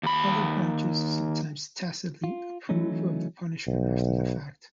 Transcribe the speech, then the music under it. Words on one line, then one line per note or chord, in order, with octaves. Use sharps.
Other branches sometimes tacitly approve of the punishment after the fact.
D#2 B5
F4
E3 F#3 A3 C#4 D#4
B1